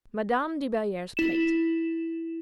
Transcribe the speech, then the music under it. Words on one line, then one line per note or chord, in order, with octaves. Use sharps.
Madame de Belliere's Plate.
E4 E7